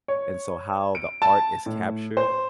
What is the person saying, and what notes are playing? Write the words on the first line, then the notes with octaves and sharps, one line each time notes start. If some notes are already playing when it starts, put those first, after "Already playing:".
and so how the art is captured,
C#5
D7
A5
A2
C5